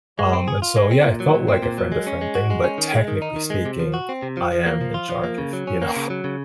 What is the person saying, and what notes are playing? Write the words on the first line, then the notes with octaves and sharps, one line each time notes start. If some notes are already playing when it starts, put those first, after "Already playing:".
Um, and so yeah, it felt like a friend-to-friend thing, but technically speaking, I am in charge of, you know
G#3
C4
G#4
F4
G#3
C4
A#2
F#3
A#2
C4
A#2
F#3
G#3
C#4
G#3
F#4
G#3
C#4
D#3
G#3
D#3
D#4
D#3
G#3
C3
F3
F#4
C4
C3
F3
F3
A#3
F3
F4
F3
A#3
C#3
F#3
C#4
A#3
C#3
F#3
C#3